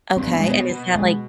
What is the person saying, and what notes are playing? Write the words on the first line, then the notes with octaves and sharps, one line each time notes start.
Okay, and is that, like,
G2 C4
B3
G#3
B2
B3
B2
G#3